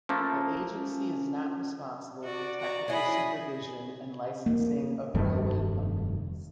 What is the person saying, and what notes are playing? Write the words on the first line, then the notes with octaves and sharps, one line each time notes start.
The Agency is not responsible for technical supervision and licensing of railway companies.
F3 A3 A#3 C#4
F#4 D5
F#4 A#5
C#4 E4 G#4 D#5 B5
A#3
F1 G2 D#3 A3